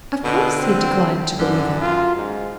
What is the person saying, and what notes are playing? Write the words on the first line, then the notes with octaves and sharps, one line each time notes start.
Of course he declined to believe it.
B2 D3
C4
F#2 D3
F4
G#2